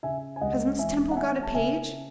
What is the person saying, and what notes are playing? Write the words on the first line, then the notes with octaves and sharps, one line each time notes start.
Has Miss Temple got a page?
C#3 E5 G#5
G#5
C#2 D#5 F#5
E3 E5 G#5
F#5
A3 E5 G#5
A5
C#3 E5 G#5